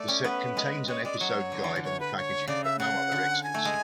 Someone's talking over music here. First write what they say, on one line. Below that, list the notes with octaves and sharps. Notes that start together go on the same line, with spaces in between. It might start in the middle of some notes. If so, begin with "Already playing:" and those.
The set contains an episode guide on the packaging but no other extras.
Already playing: A3 D5
C#4
B3 B4
G#3
G#3 C#5
G#3 D5
F#3 C#5
D3
E3
D3
C#5
B4
C#5
C#3 D5
E5
C#3 F#5
D3
G#5
A3
G#3